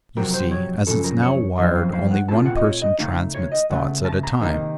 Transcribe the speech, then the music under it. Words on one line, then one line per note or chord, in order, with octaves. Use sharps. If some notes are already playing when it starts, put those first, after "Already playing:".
You see, as it is now wired only one person transmits thoughts at a time.
F2 C3 F#3 A#4
C5
C#5
F#2 C#3 F3 A4
A#4
C#5
F#2 F3 C4 D#5
F5
F5
F#5
A#2 A3 C4 F4 A5
F#5
D#5
C#5
D#5
C#3 A3 D#4 F5
C#5
D#5
C#2 C#3 A3 F#5
A5
A#5
C3 D#3 A#3 D#4